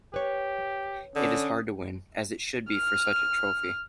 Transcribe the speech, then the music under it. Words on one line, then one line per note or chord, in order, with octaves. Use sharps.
It is hard to win, as it should be for such a trophy.
G4 B4 C#5
D3 C#4 D#6
F6